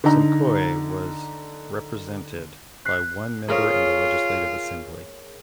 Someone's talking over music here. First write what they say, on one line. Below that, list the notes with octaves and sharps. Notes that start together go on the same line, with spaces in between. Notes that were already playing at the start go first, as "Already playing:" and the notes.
Simcoe was represented by one member in the Legislative Assembly.
D3 D#4 A#5
F#6 B6 C7
F4 G#4 A#4 C#5